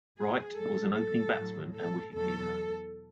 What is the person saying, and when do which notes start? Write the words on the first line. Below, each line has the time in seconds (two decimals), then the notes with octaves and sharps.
Wright was an opening batsman and wicket-keeper.
0.17 G#4
0.57 G#2 F#3 A4
0.95 A4
1.35 A2 F#3
1.75 A4
2.14 E2 B2 F#3 A4